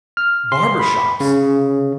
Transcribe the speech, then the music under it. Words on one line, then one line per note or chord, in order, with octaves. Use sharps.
barber shops
F6
C6
B5
C#3